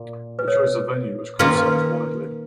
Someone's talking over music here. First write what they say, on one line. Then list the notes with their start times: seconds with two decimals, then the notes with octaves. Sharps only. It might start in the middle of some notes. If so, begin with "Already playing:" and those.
The choice of venue was criticised widely.
Already playing: A#2
0.39 B4
0.48 A#4 C#5
1.39 D#3 A#3 C#4 F4 B4
1.49 A#4
1.57 B4